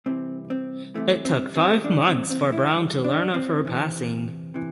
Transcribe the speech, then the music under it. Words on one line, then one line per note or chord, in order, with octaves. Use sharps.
It took five months for Brown to learn of her passing.
C2 C3 E3 C4
C4
C2 C3 E3 A3
C4
C4
G2 E3 D4
C4
C4
E4
G2 E3
D4
C4
E2 C3 E3
C3 E3